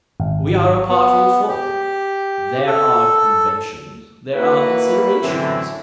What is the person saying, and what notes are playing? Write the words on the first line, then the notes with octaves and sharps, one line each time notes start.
We are a party of four. There are conventions, there are considerations....
G#1
B3
G4
A4
A#3 E4 F#4 B4
F#2 A2 D3 E3 C4 E4